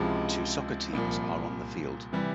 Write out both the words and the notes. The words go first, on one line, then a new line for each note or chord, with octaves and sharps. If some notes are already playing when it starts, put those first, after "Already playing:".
Two soccer teams are on the field.
Already playing: C#2 C3 F3 G#3 E4
C2 A#2 F3
C3 E3 G3